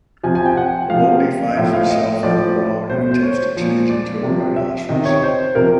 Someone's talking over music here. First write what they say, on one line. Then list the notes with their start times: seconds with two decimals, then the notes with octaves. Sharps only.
Alone, he finds himself in the wrong and attempts to change into a rhinoceros.
0.23 C3 F3 G#5
0.35 G#5
0.46 G5
0.57 F#5
0.90 C3 F3 F5
1.49 D#5
1.56 A2 F3 E5
1.73 F5
1.90 D#5
2.23 A2 F3 D5
2.89 B2 C5
3.12 C5
3.23 C#5
3.56 A#2 F3
3.90 D5
4.23 C3 F3
4.56 E5
4.89 C3 D#3 D#5
5.05 C#5
5.23 C5
5.55 C3 F3 A#4